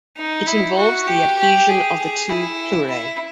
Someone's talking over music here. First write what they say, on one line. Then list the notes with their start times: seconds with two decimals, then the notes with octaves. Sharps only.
It involves the adhesion of the two pleurae.
0.17 D#4
0.47 E4
0.77 F#4
1.08 G4
1.38 G4
1.69 G#4
2.00 G#4
2.30 E4
2.90 E4